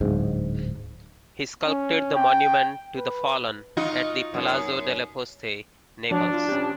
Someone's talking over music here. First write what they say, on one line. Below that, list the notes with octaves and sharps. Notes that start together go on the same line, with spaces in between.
He sculpted the monument to the "Fallen" at the Palazzo delle Poste, Naples.
D1 G#2
C#4
G5
B4
D#4 F4 F#4
F#2
F3 D4 F#4 C#5
F4
C#4 G4